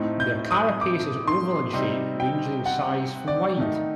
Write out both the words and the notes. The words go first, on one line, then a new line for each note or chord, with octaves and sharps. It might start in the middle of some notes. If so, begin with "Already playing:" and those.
Their carapace is oval in shape, ranging in size from wide.
Already playing: A2 A3 C4 D#4
G6
D#6
D6
C6
C3 G3 C4 D#4
G5
F#5
D5
D#3 A3 D#4